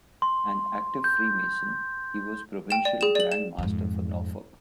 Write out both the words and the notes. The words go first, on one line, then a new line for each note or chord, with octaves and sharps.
An active Freemason, he was Provincial Grand Master for Norfolk.
C6
G6
G5 E7
D5
G#4 E7
D5 F#7
E7
F2 G#2